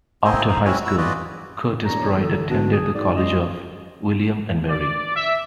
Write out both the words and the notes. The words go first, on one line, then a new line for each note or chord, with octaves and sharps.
After high school, Curtis Pride attended the College of William and Mary.
A#3 C4 E4 C5 D#5 G#5
D#4 C5
C4 C#4 E4 F#4 G#5
E4 F#4 E6
F4 F#4 B4 D5 D#5
E1 C#5 D5 A#5
A#1 D3 E3 A4
B2 D4
G#4
G#2 D5 G5
G1 C#2 D#5 C6
D5
E5